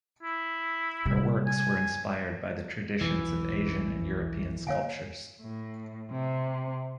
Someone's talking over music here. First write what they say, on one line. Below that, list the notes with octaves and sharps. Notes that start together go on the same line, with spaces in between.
Her works were inspired by the traditions of Asian and European sculptures.
E4
C3 G3
G#5
B1 E2 E3
D3 A#3 C#5 F5 G#5
A2
C3